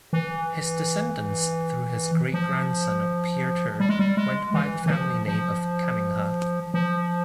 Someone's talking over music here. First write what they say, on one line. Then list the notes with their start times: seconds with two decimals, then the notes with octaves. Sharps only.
His descendants through his great grandson Pieter went by the family name of Cammingha.
0.13 E3
2.34 F3
3.80 G3
3.89 G#3
3.99 G3
4.17 G#3
4.54 E3
4.86 E3
4.90 F3
5.27 F3
6.74 F3